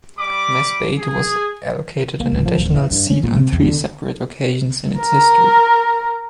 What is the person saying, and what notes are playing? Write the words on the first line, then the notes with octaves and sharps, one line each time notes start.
Masbate was allocated an additional seat on three separate occasions in its history.
G3 B5 D6
G#4
A#3
D1
F3
D#1
E3
G2
C#4
A#2
C3
E2
D3
A#4